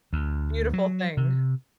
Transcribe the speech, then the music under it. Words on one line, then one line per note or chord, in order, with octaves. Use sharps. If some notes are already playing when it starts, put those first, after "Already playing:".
beautiful thing.
D2
F#3
C3